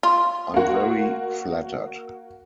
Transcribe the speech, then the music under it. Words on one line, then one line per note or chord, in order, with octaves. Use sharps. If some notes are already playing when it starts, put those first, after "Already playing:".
I'm very flattered.
F4
A#3 F#4